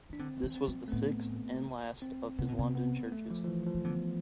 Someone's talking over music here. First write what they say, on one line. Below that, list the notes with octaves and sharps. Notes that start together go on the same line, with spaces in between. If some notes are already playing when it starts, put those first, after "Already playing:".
This was the sixth and last, of his London churches.
E3 D4
D3 C4
E3
C4
F3
A3
A2 B3
C4
C3 B3
B2
C3
B3
A3
F3
F3
E3
F3
E3
D3 B3